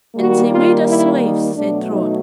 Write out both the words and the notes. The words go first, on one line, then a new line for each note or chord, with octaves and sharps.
"And they made us slaves," said Trot.
D#3 G3 A#3 F#4
F4
E4
D#4
B2 F#3 A3 D4
D#4